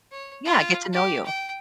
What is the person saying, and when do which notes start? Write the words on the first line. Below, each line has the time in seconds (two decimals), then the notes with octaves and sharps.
yeah get to know you.
0.11 C#5
0.45 F4
0.93 G4
1.26 G5